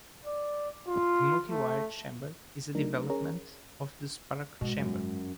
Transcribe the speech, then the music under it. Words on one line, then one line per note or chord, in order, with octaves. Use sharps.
The multi-wire chamber is a development of the spark chamber.
D5
F4
A3
F#3 A3 D4 D#4 A#4
C#4 G#4 A#4 C#5 A#5
G#2 B2
F#2